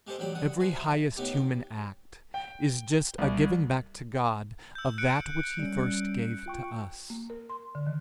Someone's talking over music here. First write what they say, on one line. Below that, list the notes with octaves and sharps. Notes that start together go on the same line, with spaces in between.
Every highest human act is just a giving back to God of that which he first gave to us.
G#3 G4 A4 C5 D#5
A1 F#3 G3 G5 B5
D3 F#5 D#6
F3 F#4 G#5 C6
E5
A2 B3 D#4 G4
G5
C2
E6 G6
F#6 C#7 D7
G3 C#4
F4 G5 C#6
A#3
A#4
C6
D3
D#3